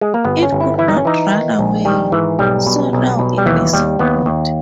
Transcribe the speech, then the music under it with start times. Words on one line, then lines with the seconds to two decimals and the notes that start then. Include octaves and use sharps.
It could not run away, so now it is food.
0.01 G#3
0.14 A#3
0.25 G1 B3
0.42 C#4
0.52 G1
0.61 E4
0.78 E3 E4
0.88 D#4
0.97 C#4
1.05 E3 D#4
1.33 D#3
1.59 A#1
1.85 D#3 G3
2.12 G#2 E3
2.39 B1 G3
2.66 B2
2.93 B1
3.19 B2
3.38 G3
3.46 D#2 E3
3.73 D#2 G3
3.99 D#2 B3
4.26 D#2